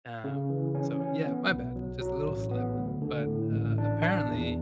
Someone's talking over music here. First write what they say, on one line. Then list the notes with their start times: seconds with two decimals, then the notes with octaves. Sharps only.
Um, so, yeah, my bad, just a little slip, but, uh, apparently,
0.24 C#3
0.50 E3
0.75 C#4
1.00 C#4
1.26 B3
1.51 B1
1.76 F#3
2.01 F#3
2.27 A1
2.51 B3
2.77 D2
3.02 D3
3.27 A2
3.53 A1
3.78 D4
4.02 D4
4.28 E2